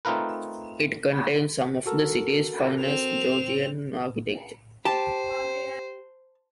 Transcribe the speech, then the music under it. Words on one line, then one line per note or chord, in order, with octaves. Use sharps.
It contains some of the city's finest Georgian architecture.
A3 C4 D#4 F4 A#4 B4
F#4 A4 A#4
C4 F7
G4 C5 A5